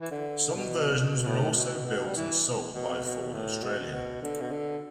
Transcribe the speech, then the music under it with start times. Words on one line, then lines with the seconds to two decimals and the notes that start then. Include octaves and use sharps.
Some versions were also built and sold by Ford Australia.
0.01 E3
0.11 D3
0.55 B2
0.90 D3
0.98 B2
1.23 B2
1.27 A2
1.51 A2
1.57 B2
1.86 B2
2.07 G3
2.16 E3
2.74 B2
3.04 B2
3.33 A2
3.63 B2
3.92 B2
4.22 D3
4.41 B2
4.51 D3